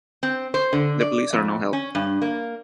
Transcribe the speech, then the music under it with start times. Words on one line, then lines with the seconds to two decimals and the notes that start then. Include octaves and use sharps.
The police are no help.
0.23 C4
0.54 C5
0.73 D3
1.00 D5
1.33 F2
1.73 C#4
1.95 G2
2.22 A#3